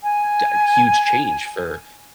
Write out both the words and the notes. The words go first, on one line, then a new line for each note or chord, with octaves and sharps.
d huge change for
G#5